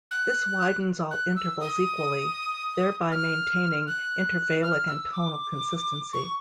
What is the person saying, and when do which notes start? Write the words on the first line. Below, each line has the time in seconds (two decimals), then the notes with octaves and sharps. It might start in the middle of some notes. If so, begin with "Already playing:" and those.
This widens all intervals equally, thereby maintaining intervallic and tonal consistency.
0.11 F#6
1.11 F#6
1.36 E6
1.60 D#6
3.11 F6
3.86 F#6
4.62 F6
4.87 E6
5.12 D6
6.13 C#6